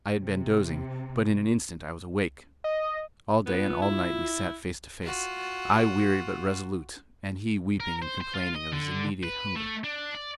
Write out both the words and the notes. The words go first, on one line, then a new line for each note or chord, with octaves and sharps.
I had been dozing, but in an instant I was awake. All day and all night we sat face to face, I weary but resolute, and he weeping and complaining of his immediate hunger.
C3
D#5
B3 F4
E4
F4 F#4
A#4
C5
C5
F4
D#5
D3
B4
A3
D4
D5